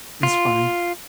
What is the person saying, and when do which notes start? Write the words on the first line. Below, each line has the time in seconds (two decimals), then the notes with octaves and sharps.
It's funny.
0.23 F4